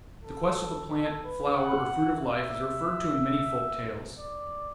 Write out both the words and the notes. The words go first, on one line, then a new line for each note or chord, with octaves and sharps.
The quest of the plant, flower, or fruit of life is referred to in many folk tales.
A4
A4
B4
F#5
E5
D5